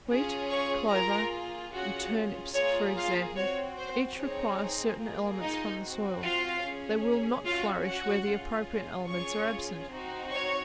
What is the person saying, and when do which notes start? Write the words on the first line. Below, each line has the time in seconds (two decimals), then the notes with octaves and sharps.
Wheat, clover, turnips, for example, each require certain elements from the soil; they will not flourish where the appropriate elements are absent.
0.10 C#4 F4 G#4
0.51 C#5 C#6
0.92 A#3 F4 G#4 A#4 A#5
1.74 C#4 F4 F#4 G#4 F#5
2.55 A#3 F4 G#4 C#5
2.96 F4 F5
3.37 C4 F#4 C#5
3.78 C5
4.18 C4 D#4 G#4 C#5
5.01 A#3 F4 G#4
5.41 D#4 D#5
5.82 C4 F#4
6.24 F4 F5
6.64 C#4 G#4
7.46 C#4 F4 F#4 F5
7.86 F#4 F#5
8.27 C#4 F4 G#4
9.09 C#4 F4 G#4 C#5 C#6
9.91 C4 D#4 F#4
10.32 C#5 C#6